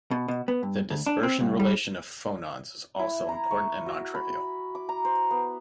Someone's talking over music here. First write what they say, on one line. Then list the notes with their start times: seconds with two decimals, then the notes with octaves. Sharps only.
The dispersion relation of phonons is also important and non-trivial.
0.11 B2
0.28 B2
0.48 B3
0.63 G2
0.90 D2
1.06 D4
1.23 C4
1.41 C2
1.60 G3
2.99 E4
3.29 A#5
3.51 C#6
3.86 F#4
4.15 B5
4.75 D6
4.89 A#5
5.05 C5
5.31 B3